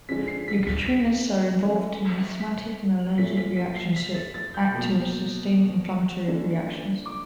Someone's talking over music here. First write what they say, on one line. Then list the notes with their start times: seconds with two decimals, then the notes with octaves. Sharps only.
Leukotrienes are involved in asthmatic and allergic reactions and act to sustain inflammatory reactions.
0.09 D3 F3 G#3 C#4 B6
0.28 C7
0.48 B6
0.67 B6
0.86 B6
1.63 E3 A3 C#4
2.40 B6
3.18 A#2 F3 A3 C#4 B6
3.37 B6
3.57 B6
3.76 C7
3.96 B6
4.14 A6
4.34 A6
4.54 G6
4.73 B2 F#3 A#3
6.28 D3 F3 A#3 C#4
7.06 D6